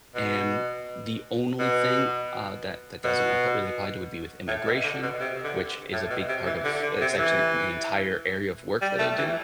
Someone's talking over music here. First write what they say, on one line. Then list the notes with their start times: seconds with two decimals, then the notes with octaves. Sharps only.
And the only thing, uh, that that doesn't app really apply to would be with immigration, which is a big part of It's actually the entire area of work that I do,
0.15 B2
1.59 B2
3.04 B2
4.48 A2
4.66 B2
4.83 D3
5.03 B2
5.20 C3
5.44 D3
5.92 A2
6.10 B2
6.28 C3
6.46 E3
6.64 D3
6.82 D3
7.01 C3
7.18 E3
8.81 G3
8.99 A3
9.18 E3